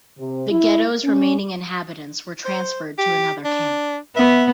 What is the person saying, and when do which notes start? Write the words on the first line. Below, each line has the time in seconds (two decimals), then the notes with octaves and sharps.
The ghetto's remaining inhabitants were transferred to another camp.
0.18 C3
0.51 E4
1.04 C#4
2.45 C5
2.98 G4
3.45 D4
4.16 B3 E5